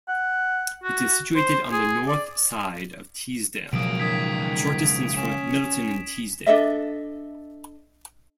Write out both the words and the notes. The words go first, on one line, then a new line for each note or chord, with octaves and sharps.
It is situated on the north side of Teesdale, a short distance from Middleton-in-Teesdale.
F#5
F#4
C5
G#4
D5
C#2 B2 F3 F#3 A#3 D#6 D7
D#3 D#6 G#6 B6
C#4 E7
D4 A4 D#5 E5